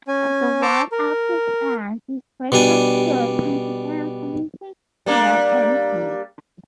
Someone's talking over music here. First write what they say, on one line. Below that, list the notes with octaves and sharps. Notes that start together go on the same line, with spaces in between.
The wood of this plant is frequently used in Japan for making low-end shamisen.
C#4 G#5
C5 A5 A#5 C#6 D6 E6
A#4
B2 G3 D4 G#5
G3 A#3 D4